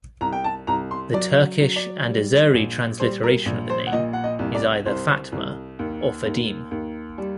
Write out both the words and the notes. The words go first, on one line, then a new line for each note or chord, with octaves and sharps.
The Turkish and Azeri transliteration of the name is either "Fatma" or "Fadime".
C2 A#5
G5
A5
C2 A#5
C6
F#3 D5
F#3
D5
G3
A#1
G3 C5
A#4
A#1
C5
F#5
A#2 D#5
F#5
D#5
C2
D5
C2 C5
C2
D#2
D#2
D#2
G3